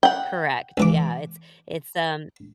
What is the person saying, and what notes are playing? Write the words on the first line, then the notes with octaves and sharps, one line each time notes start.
Correct, yeah, it's it's, um
F#5 G5
C#2 E3 D6